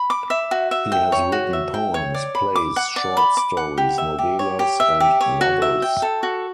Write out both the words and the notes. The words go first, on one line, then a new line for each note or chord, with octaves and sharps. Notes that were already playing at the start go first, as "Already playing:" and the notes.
He has written poems, plays, short stories, novelas and novels.
Already playing: B5
D6
E5
F#4
E5
G5
C#5
F#4
E5
G5
C#5
D5
B5
D6
F#5
D5
B5
D6
F#5
G4
E5
G4
C#5
G4
E5
G4
C#5
F#4
E5
G5
A4
F#4